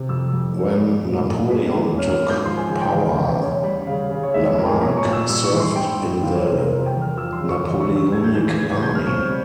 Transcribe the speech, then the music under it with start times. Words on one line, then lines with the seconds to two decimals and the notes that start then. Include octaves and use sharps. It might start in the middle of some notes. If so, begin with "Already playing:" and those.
When Napoleon took power, Lamarque served in the Napoleonic army.
Already playing: C3
0.09 F2 E6
0.33 F2
0.57 C#4
0.80 G3
1.03 A#2
1.28 A#2
1.51 G#3
1.75 E3
1.98 C#4 F6
2.22 G#2
2.30 G6
2.45 F3 C6
2.57 G#5
2.69 C#3 G#5
2.81 G5
2.92 E2 F5
3.16 E2
3.40 C#4
3.63 G3
3.87 C#3 F5
4.11 C#3
4.23 C#5
4.34 G#3 E5
4.46 C#5
4.57 F3 A#4
4.66 G5
4.70 G#5
4.81 C#4 A#5
4.97 C#6
5.05 A#2
5.13 E6
5.29 G3 E6
5.44 C#6
5.52 E3
5.60 C6
5.76 G2 G5
5.99 G2
6.23 E3 F5
6.35 C#5
6.47 C3 C5
6.58 A#4
6.70 G3 C5
6.86 G5
6.94 E2
7.01 F6
7.18 F3 E6
7.33 C6
7.41 C#3
7.49 C#6
7.64 E2 C#6
7.80 C#6
7.88 E2
7.96 E6
8.12 G3 G#6
8.24 G6
8.35 E3 G6
8.47 G#6
8.59 C#3 G#6
8.71 G#6
8.83 C#3 G6
8.95 F6
9.06 C4 C#6
9.30 G3